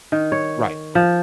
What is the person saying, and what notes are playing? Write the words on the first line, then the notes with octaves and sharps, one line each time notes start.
Right, right.
D#3
C#5
F3